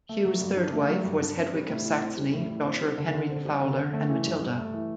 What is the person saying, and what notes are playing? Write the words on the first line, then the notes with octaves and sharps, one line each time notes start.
Hugh's third wife was Hedwig of Saxony, daughter of Henry the Fowler and Matilda.
A3
F#3
G2
D4
A3
F#3
G2
D4
C4
G3
A2
E4
C4
G3
A2
E4
C4
G3
D3
D3
C4
G3
D3
D3
A3
E3
G2
G2
A3
E3